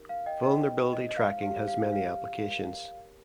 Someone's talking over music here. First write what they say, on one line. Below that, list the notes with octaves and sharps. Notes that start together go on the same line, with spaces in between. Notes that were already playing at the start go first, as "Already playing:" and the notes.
Vulnerability tracking has many applications.
Already playing: D#4 G4 A#4
F5
D#5 G5
D#4 G#4 C5 D#5 G5
D#5
D#5
F5
G4 C#5 F5
F5
F5
G4 A#4 C#5